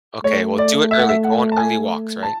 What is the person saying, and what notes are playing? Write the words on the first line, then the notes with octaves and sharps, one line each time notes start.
Okay, well, do it early. Go on early walks, right?
A3 C#5
D5
E5
F#5
E5
F#5
A5
G#5
A5